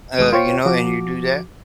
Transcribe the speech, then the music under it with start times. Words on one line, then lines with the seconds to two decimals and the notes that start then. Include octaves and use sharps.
uh, you know, and you do that,
0.19 D#2 G#3 D#6
0.33 F4 C5 C#5 G5 C#6
0.65 F3 F#4 D6